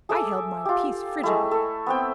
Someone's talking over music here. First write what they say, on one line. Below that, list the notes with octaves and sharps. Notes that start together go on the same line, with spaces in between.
I held my peace frigidly.
G#4 A4 E5 D6
F4 G4
G#3 A3 E4
A4 C#6
B3 C4 G5